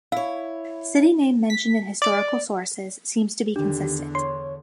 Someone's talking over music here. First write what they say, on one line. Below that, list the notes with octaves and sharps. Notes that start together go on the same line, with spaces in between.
City name mentioned in historical sources, seems to be consistent.
E4 C#5 F5
B6
D5
E2 D3 D#3 D4 G4
C#5 C6